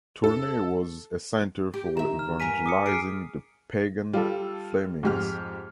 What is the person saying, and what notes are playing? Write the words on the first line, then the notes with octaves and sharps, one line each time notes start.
Tournai was a center for evangelizing the pagan Flemings.
A4
G4
D#3 E5 A#5
F6
G2 A#4 G#5 B6 D#7
D6 D#6 C#7
G#4 F6 C7 D7
G3 F4 A4
F2 G#2 G4 F6